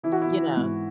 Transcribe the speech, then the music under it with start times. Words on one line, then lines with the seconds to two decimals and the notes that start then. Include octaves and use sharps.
you know,
0.03 E3 E4
0.12 F#4
0.22 E4
0.31 E3
0.57 G#2